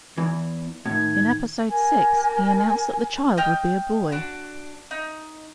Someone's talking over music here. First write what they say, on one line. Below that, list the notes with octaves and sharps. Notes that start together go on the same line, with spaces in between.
In episode six, he announced that the child would be a boy.
E2 E3
A2 D#3 G#6
G4 A#4 G#5
D#5 G5 F6
D4 F#4
D#4